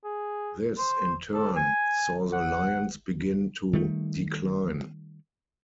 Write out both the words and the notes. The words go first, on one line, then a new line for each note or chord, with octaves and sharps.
This in turn saw the lions begin to decline.
G#4
C5
A4
G#5
F#5
D#3 G3 A3